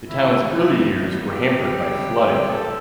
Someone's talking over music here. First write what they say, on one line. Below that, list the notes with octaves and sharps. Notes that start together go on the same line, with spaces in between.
The town's early years were hampered by flooding.
D#3 E4
G#3 C#4 F4
D#3
G3 B3 D#4
D#3
G3 B3 D#4
F2 G4
D3 G3 C4
F2
D3 G3 C4
A#2
G3 C4
A#2 A4